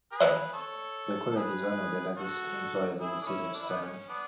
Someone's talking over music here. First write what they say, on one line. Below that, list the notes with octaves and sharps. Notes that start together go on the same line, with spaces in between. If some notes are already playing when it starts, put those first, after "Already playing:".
The college is one of the largest employers in the city of Sterling.
G#4 B4
A4 C#5
A4
G#4 B4
F#4 A4
E4 G#4
D4
C#4 E4
D4
E4
B3 D4
C#4
B3 D4